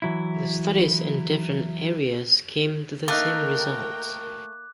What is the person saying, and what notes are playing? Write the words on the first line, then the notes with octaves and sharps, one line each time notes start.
The studies in different areas came to the same results.
E3 F#3 E4
A3 A#3 D#4 A#4 G5 D6 F#6